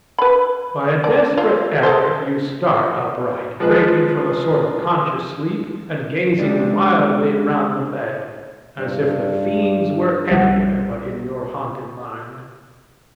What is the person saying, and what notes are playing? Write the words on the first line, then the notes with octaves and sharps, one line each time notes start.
By a desperate effort you start upright, breaking from a sort of conscious sleep and gazing wildly round the bed, as if the fiends were anywhere but in your haunted mind.
B4 B5
D5
F4
G#4 A4 C5
F3 G#3 G#4 B4
G#3 D4 G4 D5
G2
B1 G3 E5 F#5